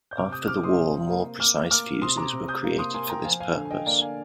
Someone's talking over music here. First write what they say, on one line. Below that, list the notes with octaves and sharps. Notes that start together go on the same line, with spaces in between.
After the war more precise fuses were created for this purpose.
G6
C3 D6 F6
D#6 G6
C3 D6 F6
C6 D#6
C3
A#3
A#3 D6 F6
A#3 D6 F6
C3 C6 D#6
A#5 D6
C3
D#6 G6
A#3
C6 D#6
A#3 G#5 C6
G5 A#5
F3 F5 G#5
F5 G#5
D3
G#5
D#5 G5
A#3 D5 F5
F5 G#5